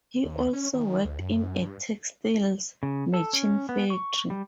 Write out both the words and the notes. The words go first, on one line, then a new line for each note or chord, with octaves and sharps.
He also worked in a textiles machine factory.
D#2
C#4
D#3
D2
F#2
G2
C#3
A4
C#4
B3
C#6
G3